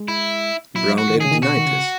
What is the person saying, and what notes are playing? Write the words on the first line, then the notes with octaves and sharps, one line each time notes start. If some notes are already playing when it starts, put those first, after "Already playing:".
Brown later denied this.
Already playing: G#3
E4
F#3 E4
F#4
E3
D#3
C#3 G#4
D#3
B2 F#4
D#3
C#3